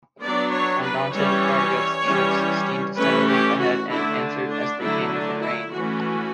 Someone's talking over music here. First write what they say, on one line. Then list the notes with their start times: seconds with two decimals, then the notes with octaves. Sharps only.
Undaunted Farragut's ships steamed steadily ahead and answered as they came within range.
0.22 F#3 B3 D4 D5
0.52 C#5
0.84 B4
1.14 E3 G3 C#4 C#5
2.06 E3 G3 C#4
2.97 E3 A3 C#4 B4
3.29 G4
3.60 F#4
3.90 D3 A3 D4 E4
4.51 D4
4.82 D3 F#3 A3 D4 E4
5.12 D4
5.43 E4
5.73 E3 A3 C#4 F#4